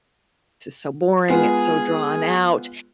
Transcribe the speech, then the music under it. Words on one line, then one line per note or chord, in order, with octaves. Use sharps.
is so boring, it's so drawn out."
G#3 B3 F4 G#4